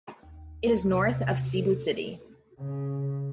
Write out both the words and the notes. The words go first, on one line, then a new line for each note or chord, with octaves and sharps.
It is north of Cebu City.
D#2
A#5
C3
C3
A4
C#3